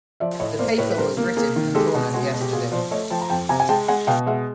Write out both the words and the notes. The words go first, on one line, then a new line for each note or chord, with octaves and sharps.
The paper was written and torn up yesterday.
F3 D5 E5
A2 C#5 D#5
A#3 C5 D5
A2 B4 C#5
B4
G3 A#4 C5
A#3
A#3 G#4 A#4
D#3
G#3 G4 A4
B2
G#3 F#4 G#4
B2
G4
A#2 F#4 G#4
F3 C5 D5
A3 C#5 D#5
F3 G5 A5
A#5
F2 G5 A5
C3 G#5 A#5
G#5
G#3 G5 A5
G#3 F#5 G#5
B2 F5 G5
G#3 E5 F#5